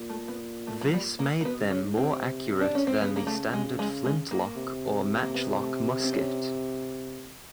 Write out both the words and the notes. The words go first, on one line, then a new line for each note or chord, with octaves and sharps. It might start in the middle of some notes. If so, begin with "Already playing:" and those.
This made them more accurate than the standard flintlock or matchlock musket.
Already playing: A#2
A3
B3
A3
F#3
G3
A#3
A#3
B2 B3
C#3
C#4
G#2
C4
C3
D4
C#4
C4
C#3 B3
A#3
A3
G#3
G#3
G#3
A#3
C3
A#3
B3
A3
C4
C#4